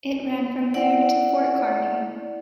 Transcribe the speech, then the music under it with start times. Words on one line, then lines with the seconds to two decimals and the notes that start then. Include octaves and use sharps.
It ran from there to Fort Kearny.
0.74 E4 D5 F#5